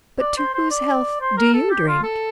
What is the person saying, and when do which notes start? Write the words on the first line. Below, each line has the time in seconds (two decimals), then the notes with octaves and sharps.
But to whose health do you drink?'
0.21 D5
0.37 C5
0.54 C5
0.71 D5
1.21 C5
1.37 A#4
1.54 A4
1.71 G4
1.87 F4
2.04 A4